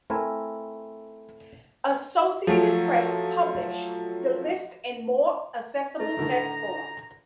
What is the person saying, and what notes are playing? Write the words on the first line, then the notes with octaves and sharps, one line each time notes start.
Associated Press published the list in more accessible text form.
A3 C4 E4 A#4 G#5
F3 F#3 A3
A3 A#5
A2 D3 D#3